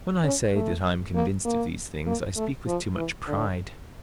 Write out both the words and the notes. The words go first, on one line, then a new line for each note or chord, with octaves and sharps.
When I say that I am convinced of these things I speak with too much pride.
C#4
A3
A#3
A#3
A#3
A3
F3
E3
D3